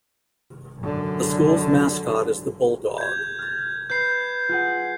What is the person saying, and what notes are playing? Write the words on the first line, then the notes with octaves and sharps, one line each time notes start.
The school's mascot is the bulldog.
F#2 D3
G6 G#6
F6 A6
B4 B5 G6 C7
F4 G#4 F#5